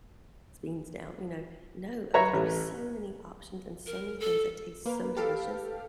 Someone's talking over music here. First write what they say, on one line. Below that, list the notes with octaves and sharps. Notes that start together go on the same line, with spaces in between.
beans down, you know? No, I mean, there's so many options and so many things that taste so delicious.
B4 C#5 E5 A#5
A1
A#4
A4
A#3 B4
G4 A4 F5